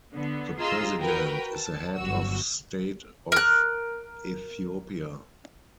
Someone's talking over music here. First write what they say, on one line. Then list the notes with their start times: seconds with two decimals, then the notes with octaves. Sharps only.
The President is the head of state of Ethiopia.
0.14 D3 B3
0.60 F4 G#4 D#5 A#5 C6 E6
0.99 F#4 A#4 B4 G5
1.54 A5
1.95 G1 F#2 F#4 E6
3.32 A#4 F#6